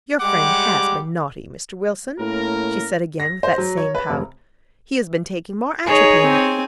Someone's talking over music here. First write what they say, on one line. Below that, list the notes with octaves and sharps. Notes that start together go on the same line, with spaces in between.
'Your friend has been naughty, Mr. Wilson,' she said again with that same pout: 'he has been taking more atropine.'
G3 G#3 G4 F#5 D6
A2 A#3 C#4 A#4
A#6
C5
F#3
C#5
B4
F1
D#4 G#4 C#5
C4 G#5